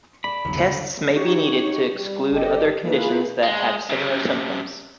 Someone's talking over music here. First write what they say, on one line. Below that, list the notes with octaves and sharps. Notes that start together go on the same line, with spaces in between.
Tests may be needed to exclude other conditions that have similar symptoms.
D5 A5 B5
G1 D#2 C#3 F#3
D3
D#4 F#4 G4 C#5 C#6
G3
G1 G4 A4 D5 D#5
A#3 E4 F4 G#4 B4
G#3
F#2 C3